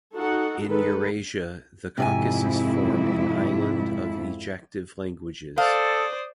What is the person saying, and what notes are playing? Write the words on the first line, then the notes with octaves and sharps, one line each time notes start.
In Eurasia, the Caucasus forms an island of ejective languages.
D#4 F#4 A4 F#5
D#3 G#3 A4 B4
F2 G#2 C3 E4 D5 G#5
A4 C5 D5 F5 D#6